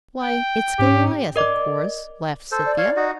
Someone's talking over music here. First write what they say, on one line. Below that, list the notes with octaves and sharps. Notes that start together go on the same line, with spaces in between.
"Why, it's Goliath, of course!" laughed Cynthia.
G5
G#2 C#4 G4
A#4 D5 D#5 D6
A4 C5
D5
C#5 F5
D#4 F#4